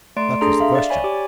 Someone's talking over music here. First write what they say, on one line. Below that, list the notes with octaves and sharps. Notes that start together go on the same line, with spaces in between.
That was the question.
A3 D5 C6 D7
D4 G#4 A4 A#5 C6
E5 F5
D5
C#5 D5 G#5 B5
G4 D6